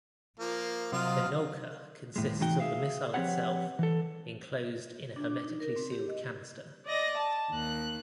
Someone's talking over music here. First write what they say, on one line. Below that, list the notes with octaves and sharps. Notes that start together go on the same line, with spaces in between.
The Nulka consists of the missile itself enclosed in a hermetically sealed canister.
F3 A#3
C3 F#3 F4 D#5 F5
D#2 A2 G#3
C3 E3 D#4 F#4 G5
G#4 E5 F5
F3 C4 G4 B4 C#5 F#5
E3 A4
D4
D6
D#4
A#4
C4
G4
D#5
D5 D#5 A#6
A5
D#2 F#6